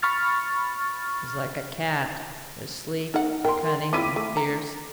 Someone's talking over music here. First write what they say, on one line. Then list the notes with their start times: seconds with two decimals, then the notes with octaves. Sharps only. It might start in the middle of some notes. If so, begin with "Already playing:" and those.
He's like a cat,--as sleek, and cunning, and fierce.
0.02 B5 C#6 F6 A6
3.14 D#4 A#4 F#5
3.45 A#4 G5 C6
3.93 C4 E4 F4 D6 B6 D#7
4.16 A3
4.37 A#5